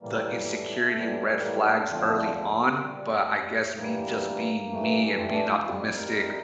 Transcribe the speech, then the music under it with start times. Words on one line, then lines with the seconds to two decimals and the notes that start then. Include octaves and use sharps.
the insecurity, red flags early on, but I guess me just being me and being optimistic,
0.01 A2 E3 G3 A#3
0.15 C4
0.25 A#3
0.43 A#3
0.48 A3
0.94 A2 E3 G3
1.42 A#3
1.53 C4
1.65 A#3
1.77 D4
1.88 E2 D3 F3 A3 C4
2.36 A3
2.48 A#3
2.60 A#3
2.70 A#3
2.82 A#2 G3 C4
3.29 A3
3.51 A3
3.76 G2 E3 G3 A#3
4.70 G2 E3 A3
5.17 C4
5.28 C4
5.33 D4
5.48 F4
5.63 F2 C3 G3 F4
5.80 G4
5.95 A#4